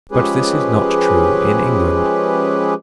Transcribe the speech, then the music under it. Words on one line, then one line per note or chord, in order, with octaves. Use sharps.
But this is not true in England.
F3 G#3 C#4 G4 G#4 B4